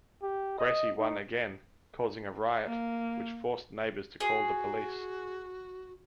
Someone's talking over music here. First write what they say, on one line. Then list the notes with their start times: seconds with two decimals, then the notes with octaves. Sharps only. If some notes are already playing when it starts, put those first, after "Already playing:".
Gracie won again, causing a riot which forced neighbours to call the police.
0.23 G4
0.59 D#5
0.98 D#4
2.67 A#3
4.20 F#4 G#4